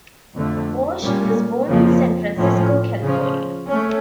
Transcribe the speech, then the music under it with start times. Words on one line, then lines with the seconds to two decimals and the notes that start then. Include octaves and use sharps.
Walsh was born in San Francisco, California.
0.36 F2 D3 A3
1.02 A#2 G3 A#3 C#4
1.68 F2 C#3 F3 A#3
2.35 A2 F3 C#4
3.02 C#3 F3 C#4
3.69 A3 C#4